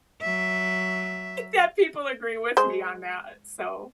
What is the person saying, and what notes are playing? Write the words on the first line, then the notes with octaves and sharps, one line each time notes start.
that people agree with me on that, so
F#3 E5
G#3 C5